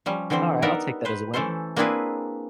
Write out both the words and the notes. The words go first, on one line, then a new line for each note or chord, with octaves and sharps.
Alright. I'll take that as a win.
F3 G3 C#4
D3 E3 G3 C4 C5
B3 D#4 A#4 D5 E5
B4 C5
E3 A3 C#4 A4 C5
A#3 C4 D4 E4 G#4 B4